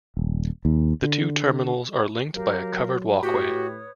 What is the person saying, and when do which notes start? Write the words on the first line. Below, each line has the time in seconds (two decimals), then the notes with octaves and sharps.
The two terminals are linked by a covered walkway.
0.17 D#1
0.65 D#2
1.02 D3
2.34 F#3 G4 A#4 F5
3.23 A2 F#4 G4 B4 C#5 D#6